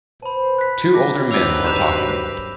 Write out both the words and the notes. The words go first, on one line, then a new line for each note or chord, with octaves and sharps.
Two older men are talking.
B4 C5 A5 B5
F#6 B6
D#3 F#3 D6 A#6
G2 C4 B4 D6 E6 F7
G6 E7 F7